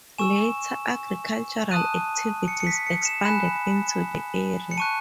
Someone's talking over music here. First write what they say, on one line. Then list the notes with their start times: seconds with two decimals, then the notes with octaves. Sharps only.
Later, agricultural activities expanded into the area.
0.18 G#5 C#6 E6 E7
1.71 A5 D#6 F#6 D#7
2.48 C#7
2.60 C#7
2.67 B6
2.87 C#7
3.05 E7
3.24 G#5 B5 F#6 E7
4.71 C#7
4.77 A5 C#6 F#6 D#7